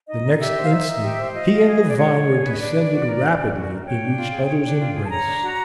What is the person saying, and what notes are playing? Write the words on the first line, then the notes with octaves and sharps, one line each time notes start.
The next instant he and the vine were descending rapidly in each other's embrace.
D#4 D#5
D#4
G4 E5
C5
F5
D#4 E5
D#4
G4
C5
F4 D#5
F4
G#4
B4
D5
F4 C#5
F4
G#4
B4
D#5
D4 D5
D4
F#4
A#4
D4
D4
F#4
A#4
C#5 G5
D4
F4
G#4
C#5
D4
F4
G#4
A5
C#5 A#5
D4
F#4